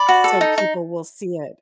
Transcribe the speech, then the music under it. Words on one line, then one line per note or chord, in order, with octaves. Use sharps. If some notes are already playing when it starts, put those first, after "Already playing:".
so people will see it.
Already playing: D5 B5
F#4
A4
D#4
D#4